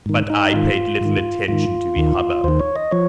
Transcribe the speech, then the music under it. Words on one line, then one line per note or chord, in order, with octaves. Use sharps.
But I paid little attention to the hubbub.
G#2 D#3
D#4
G#2 D#3 F4
G#2 D#3
G#2 D#3 F4
D#2 D#3
D#2 D#3 C5
C#5
D#5
F3 C#5